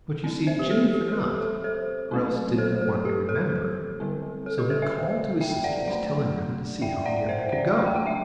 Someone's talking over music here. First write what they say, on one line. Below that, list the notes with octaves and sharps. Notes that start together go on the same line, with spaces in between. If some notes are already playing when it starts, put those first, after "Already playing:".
But, you see, Jimmie forgot, or else didn't want to remember, so he called to his sisters, telling them to see how near they could go.
F#3 C4
C5 E5
G4
A4
G4
A4
G4
A4
A4 C5
F#3 A3 C4
A4 C5
A4
G4
A4
D3 G3 C4
A4
G4 B4
A4 C5
C5 E5
E5 G5
D5 F#5
F#3 A3 D4 D5 F#5
E5 G5
D5 F#5
C5 E5
D5 F#5
F#3 A3 D4
G5
F#5
E5 G5